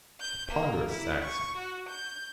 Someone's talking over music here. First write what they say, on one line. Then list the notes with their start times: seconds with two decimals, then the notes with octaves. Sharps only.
A ponderous Saxon.
0.20 G6
0.51 A#3
0.91 E4
1.25 C#6
1.57 F#4
1.89 G6